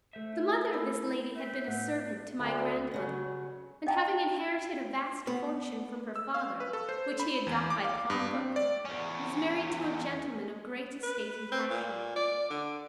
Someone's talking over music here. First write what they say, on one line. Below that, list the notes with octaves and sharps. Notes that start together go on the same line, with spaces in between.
The mother of this lady had been a servant to my grand-mother; and, having inherited a vast fortune from her father, which he had got by pawnbroking, was married to a gentleman of great estate and fashion.
A3 C5 E5
A4
E4 A#4 B5
B4 E5 G6
A2 F#5
D2
G2 C#3 F#3
D#5 G5 A5 A#5
B3
E6
F5
B4
A4
C5
B5
E2
D6
F5
G2
C4
D5
E2 C#4
B4
C4
A#2
D5
D3